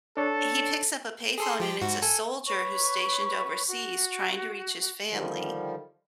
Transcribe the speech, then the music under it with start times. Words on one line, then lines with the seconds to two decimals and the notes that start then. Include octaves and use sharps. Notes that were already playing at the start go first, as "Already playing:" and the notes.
he picks up a payphone, and it's a soldier who's stationed overseas trying to reach his family,
0.17 D4 A4 C#5
1.38 G#4 A4 C6
1.60 F3 G4
1.82 G#2 F#4
2.02 A4 G#5
2.47 B4 C#5 C#6
3.66 F#4
5.09 D3 D#3 F3 G3